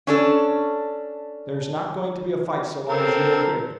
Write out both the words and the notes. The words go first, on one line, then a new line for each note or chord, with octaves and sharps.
"There's not going to be a fight so long as you are here."
C#4 D4 A4
C4 A4 A#4